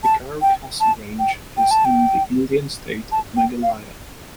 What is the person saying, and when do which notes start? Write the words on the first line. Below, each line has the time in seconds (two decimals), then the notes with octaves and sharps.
The Garo-Khasi range is in the Indian state of Meghalaya.
0.04 A5
0.42 G5
0.80 A5
1.19 G5
1.57 G5
1.71 A5
1.85 G5
3.12 A5
3.37 G5
3.63 F5